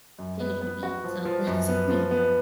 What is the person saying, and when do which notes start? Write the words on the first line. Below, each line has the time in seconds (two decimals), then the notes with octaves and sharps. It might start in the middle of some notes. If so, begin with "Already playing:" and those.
finish the beat, so, that's on me,
0.19 F#2
0.40 B3
0.62 B3
0.83 F#4
1.04 F3
1.25 F3
1.47 F#2
1.68 B3
1.89 F3
2.11 B3